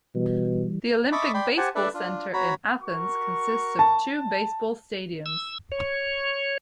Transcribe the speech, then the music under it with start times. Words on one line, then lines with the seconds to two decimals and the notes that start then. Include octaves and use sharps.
The Olympic Baseball Centre in Athens consists of two Baseball stadiums.
0.15 B2 E3 G3
1.12 D#5 E5 A5 B5 C#6 D6
1.34 D5 G5 B5 C6
1.57 G4 C5 F#5 G#5 A5
1.75 D4 A4 B4 D5 E5
1.94 D4 F4
2.34 F#4 C#5 A#5 B5
2.82 F#4 A#4 C#6
3.79 A5
5.26 E6
5.72 C#5